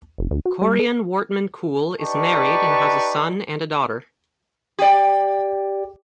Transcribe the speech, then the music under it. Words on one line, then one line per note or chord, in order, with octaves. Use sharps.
Corien Wortmann-Kool is married and has a son and a daughter.
F1
D2
F#4
G3
A4
D#4 G4 B4 D5 A5 C#6
G4 D5